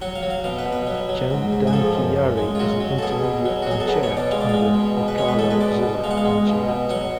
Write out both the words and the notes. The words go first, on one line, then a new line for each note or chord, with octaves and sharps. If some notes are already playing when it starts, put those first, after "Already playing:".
Chandankiyari is an intermediate panchayat under Bokaro Zilla panchayat.
F#3 F#5
F5
F#3
F5
B2 F5
B4
B2
B4
F#3
F#3
G#2
G#2
G#4
F3 A4
F#2
F#2
G#3
F4
F#3 F#4
F#3
A4
B2 G#4
B2
F#3
F#4
F#3 G#4
A4
B2 B4
C#5
B2
D5
G#3 F5
D5
G#3 F5
B2
B2
B4
G#3 C#5
B4
G#3 A4
B4
B2 D5
B2
G#3 F5
F#5
F5
G#3
B2
B2
F#3 F#5